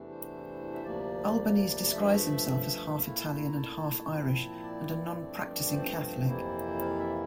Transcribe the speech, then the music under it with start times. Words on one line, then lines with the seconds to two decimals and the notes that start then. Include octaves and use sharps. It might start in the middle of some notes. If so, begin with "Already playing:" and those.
Albanese describes himself as "half-Italian and half-Irish" and a "non-practicising Catholic".
Already playing: E2 C3 E3 A3 D4
0.10 C5
0.73 E5
0.83 D2 C3 F3 A#3 D5
1.92 G2 F3 A3 E5
3.00 A#2 A3 E4 F5
3.19 A5
3.37 A#5
3.55 A5
4.09 A#2 F3 C4 E4
4.63 D5
5.18 G2 F3 A3 C4
5.72 C5
6.26 F2 C3 E3 A#3 E4
6.80 F5
6.99 E5